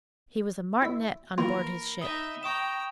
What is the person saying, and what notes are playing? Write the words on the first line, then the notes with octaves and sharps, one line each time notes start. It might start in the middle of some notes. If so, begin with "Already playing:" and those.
He was a Martinet on board his ship.
E4 E5
E3 A#3 F4 A#4 B5
D#4 E5 D#6 G7
G5 A#5 C#6 D#6 E7